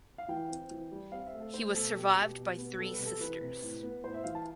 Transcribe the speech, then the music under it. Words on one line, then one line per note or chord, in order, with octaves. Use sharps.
He was survived by three sisters.
F5
E3 G5
C4
E3
G3
C4 F5
E5
A3
A4
A3 C5
B2 A4
B2 G4
B2
B2
B3
G3 A4
B4
C3
A4
E3 B4
C3
A2
B3
A2 C5
E5
E3 F5
A5